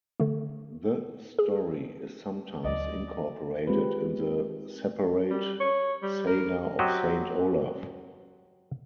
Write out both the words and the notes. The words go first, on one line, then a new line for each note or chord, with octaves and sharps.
The story is sometimes incorporated in the "Separate Saga of Saint Olaf".
D3 A3
G#4
D2 F#3 D5 D#5
G#3 C4 F4 G4 B4
G3
C#5
G3
A#4
F#3 C4 F#4 G4 D#5